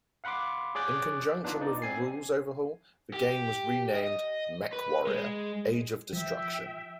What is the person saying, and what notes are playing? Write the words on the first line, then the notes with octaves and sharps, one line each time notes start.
In conjunction with a rules overhaul, the game was renamed "MechWarrior: Age of Destruction".
F5 F#5 B5 C6 D6
G#4 C#5 D5 D6 F#6 G6
B3 D4 D#4 F4
D#4 D5
C4 G#5 C7
G4
D#5
B4
G#3
F3 E5 G5